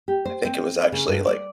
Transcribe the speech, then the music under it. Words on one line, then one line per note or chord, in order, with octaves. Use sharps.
I think it was actually, like
G4
C5
C4
C#3
G2
D5